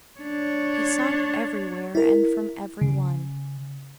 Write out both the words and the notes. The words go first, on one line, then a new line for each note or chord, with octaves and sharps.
He sought everywhere and from every one.
D4 C#5
E4 A#4
C#3